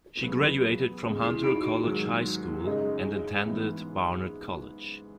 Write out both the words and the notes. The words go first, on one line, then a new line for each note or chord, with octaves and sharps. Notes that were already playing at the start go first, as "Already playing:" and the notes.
She graduated from Hunter College High School and attended Barnard College.
E2 C#3 F#3 B3
E2 C#3 G#3
E4 G#4
D#4 F#4
D#4 F#4
G#2 D#3 F#3
F#2 C#3 G#3 D#4
G#2 E3 B3